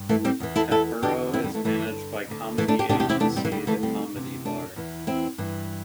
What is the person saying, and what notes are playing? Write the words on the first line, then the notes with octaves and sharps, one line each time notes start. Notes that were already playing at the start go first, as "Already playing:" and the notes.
Capurro is managed by comedy agency The Comedy Bar.
Already playing: G2
E3 A3
G3 C4
E2 E3
E4 A4
E4 A4
E2 D3 D4 G4
C4 E4
G3 C4
E3 A3
G2 D3 E3 A3
D2 D3
E3 A3
A3 D4
D4 G4
E2 C3 E3 D4 G4
D4 G4
C4 E4
A3 D4
G3 C4
E3
D2 D3 G3
E3 A3
G3 C4
D2 C3 E3
A3 D4
E2 E3
C4 E4
G2 E3